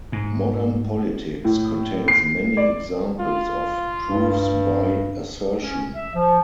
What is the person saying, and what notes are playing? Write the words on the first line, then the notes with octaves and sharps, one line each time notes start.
Modern politics contains many examples of proofs by assertion.
G#2
A2
C7
D5
F4
G2
C#4
E5
F3